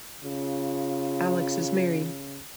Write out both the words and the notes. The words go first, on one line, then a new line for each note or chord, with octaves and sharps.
Alex is married.
C#3 F4